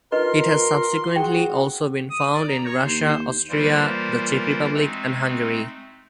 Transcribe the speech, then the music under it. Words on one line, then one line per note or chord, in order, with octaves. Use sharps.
It has subsequently also been found in Russia, Austria, the Czech Republic, and Hungary.
D#4 F4 A#4 B4 D#5 C6
F#4 G#4 G5
D#6
D5
A#5
C#5
D#2 C5
E3 G3 A#3 F4 A#4 C5
G#3 A3 C4 D#4